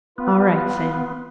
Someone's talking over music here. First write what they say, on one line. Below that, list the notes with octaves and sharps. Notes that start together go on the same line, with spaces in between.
"All right, Sam."
B3 F4 B4